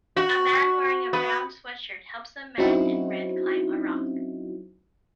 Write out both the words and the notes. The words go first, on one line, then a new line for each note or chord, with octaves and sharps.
A man wearing a brown sweatshirt helps a man in red climb a rock.
F#4
B3
F#3 C4 C#4 D#4 E4 F#4